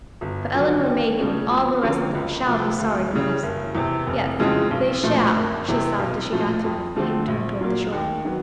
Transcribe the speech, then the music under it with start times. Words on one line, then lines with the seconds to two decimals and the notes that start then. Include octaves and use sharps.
"But Elinor Mayhew and all the rest of them shall be sorry for this. Yes, they shall," she sobbed as she got to her feet and turned toward the shore.
0.21 G1
0.54 F2 D3 F#3 B3
0.85 D#2
1.18 C#3 F3 A3 C#4
1.50 F2
1.83 D3 F3 A#3 C#4
2.15 C#2
2.46 C3 F3 A3
2.78 D2
3.11 C#3 E3 G3
3.43 F#1
3.75 E2 C3
4.07 F1
4.39 F2 C#3 E3 G#3
4.71 B1
5.03 A#2 F3 A3
5.36 F#1
5.68 E2 C3
5.99 B1
6.32 A#2 F3 A3
6.64 F2
6.96 D3 F3 A3 C4
7.28 A#1
7.61 A#2 F#3 A#3
7.92 D#2
8.25 D#3 F#3 B3